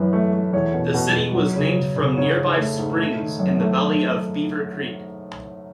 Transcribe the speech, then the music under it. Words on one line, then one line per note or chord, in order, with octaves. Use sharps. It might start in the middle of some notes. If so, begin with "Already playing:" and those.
The city was named from nearby springs in the valley of Beaver Creek.
Already playing: F#2 E3 B4
A3
A3
E2 C#5
B2
B2
B2
F#3
C#3
C#3
C#3
G#2 C#5
G#2
A3
G#2
A3
D#3
F#2
A3